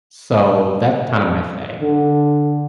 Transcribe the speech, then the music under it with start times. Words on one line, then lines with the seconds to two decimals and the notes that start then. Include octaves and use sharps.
so that's kinda my thing.
1.81 D3